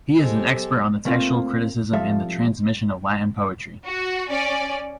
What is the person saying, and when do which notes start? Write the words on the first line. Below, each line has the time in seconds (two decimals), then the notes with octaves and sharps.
He is an expert on the textual criticism and the transmission of Latin poetry.
0.18 F#3 G#3 B3 G4 A4 C5
1.05 C3 A3 A#3 C4 F4
1.93 C2 G#2 F3 A4 E5 F5
3.86 F#4
4.30 C#4 D5